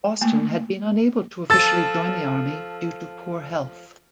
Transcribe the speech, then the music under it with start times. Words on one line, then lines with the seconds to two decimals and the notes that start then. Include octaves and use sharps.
Boston had been unable to officially join the Army due to poor health.
0.21 A3 A#3
1.50 F3 A4 E6 A6